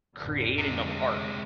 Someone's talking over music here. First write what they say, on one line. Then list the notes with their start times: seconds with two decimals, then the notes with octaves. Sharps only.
creating of art
0.16 A1 F2 D3
0.58 C3 G#3